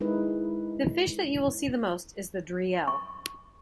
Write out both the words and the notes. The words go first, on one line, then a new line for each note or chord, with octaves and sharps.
The fish that you will see the most, is the "Driel".
G#3 D#4 E4 A#4 B4
C#6